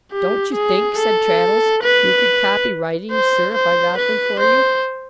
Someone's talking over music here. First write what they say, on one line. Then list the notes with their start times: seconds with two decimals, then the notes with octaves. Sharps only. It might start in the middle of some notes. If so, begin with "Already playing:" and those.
'Don't you think,' said Traddles, 'you could copy writings, sir, if I got them for you?'
0.12 G4
0.54 G#4
0.98 A4
1.83 B4
3.11 C5
3.54 C5
3.97 B4
4.39 C5